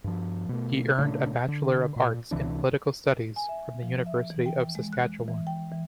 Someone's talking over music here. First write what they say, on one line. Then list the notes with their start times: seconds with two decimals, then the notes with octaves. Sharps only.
He earned a Bachelor of Arts in political studies from the University of Saskatchewan.
0.04 G2 F3
0.49 B2 A3
0.98 A#2 C#3 A3 D4
1.48 D3
1.96 A#2
2.31 C#2 C3 E3 D4
3.36 G#5
3.49 E5
3.83 F3
4.06 E5
4.30 E3
4.46 G5
4.75 G#3
4.93 F#6
5.28 E3
5.47 G5
5.72 E3